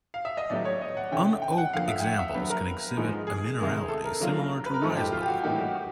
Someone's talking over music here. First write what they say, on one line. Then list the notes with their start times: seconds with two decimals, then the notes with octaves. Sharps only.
Unoaked examples can exhibit a minerality similar to Riesling.
0.14 F5
0.25 E5
0.37 D#5
0.50 A2 F#3 B3 E4 G4 D5
0.65 C#5
0.81 D#5
0.97 F#5
1.11 C3 E3 A3 C#4 E4 G5
1.42 G5
1.52 G5
1.58 F#5
1.73 F2 D3 F3 A#3 F5
1.88 E5
2.00 G5
2.04 F#5
2.19 E5
2.35 F#3 B3 D4 B4
2.50 A#4
2.97 G#2 F3 G#3 B3 D#4
3.27 G#4
3.59 C3 D#3 G#3
3.89 A4
4.05 A#4
4.20 D3 F#3 A#3 D4 F4
4.66 B4
4.74 A#4
4.82 G#2 F3 A3 C4 D#4 A4
4.97 G4
5.12 F4
5.22 G4
5.28 F#4
5.44 A2 E3 G3 A#3 D#4 G4
5.59 F#4
5.74 F#4